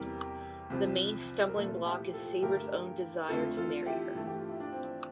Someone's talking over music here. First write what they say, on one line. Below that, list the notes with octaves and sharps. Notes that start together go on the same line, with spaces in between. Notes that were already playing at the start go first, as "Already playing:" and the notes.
The main stumbling block is Saber’s own desire to marry her.
Already playing: E2 C3 E3 G3 G4 A#4
C2 C3 F3
A#4
C2 A#2 F3 A3 F4 A4
E4 G4
F4 A4
G2 D3 A3 G4 A#4
F2 D3 A3 F4 A4
F4 A4
E4 G4
G2 E3 A3
G4
F4
E4
D4
C4